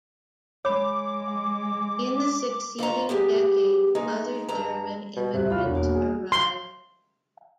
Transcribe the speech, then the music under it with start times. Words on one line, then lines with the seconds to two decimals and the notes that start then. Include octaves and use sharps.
In the succeeding decades, other German immigrants arrived.
0.65 G#3 C#5 B5 D6
2.78 F2 F4 C#5 A#5
3.09 G3 B3 G4 G#4
3.95 G#3 A#3 D#4
4.49 G2 A#5
5.16 B2
5.34 D1 C3 G3 E5 F#6
5.50 C2 F#3 F4 B5 F6
5.64 E1 F#3 D4
5.75 A#3 F#4
5.95 G#4
6.32 C6